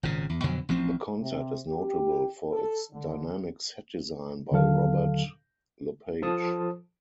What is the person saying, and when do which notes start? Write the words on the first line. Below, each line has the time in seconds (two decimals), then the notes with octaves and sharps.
The concert is notable for its dynamic set design by Robert Lepage.
0.03 G#1 A#2 C#3
0.29 E2
0.43 F2 B2 D3 F#3
0.69 A1 F3 C4
1.19 C3
1.66 G4
2.51 A4
2.92 D3
4.51 D#2 D3 F#3 A4 F5
6.22 F3 A4 A5 D#6